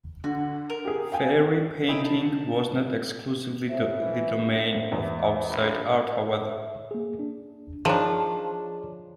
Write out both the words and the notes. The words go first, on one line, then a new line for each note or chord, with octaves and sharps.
Fairy painting was not exclusively the domain of outside art, however.
D3 F#4
A#4
G4 G#4
F5 G5 G#5
C3 C#4 D#4 E4 D#5 G5 D#6
A5
A2 C5 E5
E3
A#1
E2
A#1 B5
C#5 E5
A#3 G#4
D4
D#3 F3 D4 G#4 C#5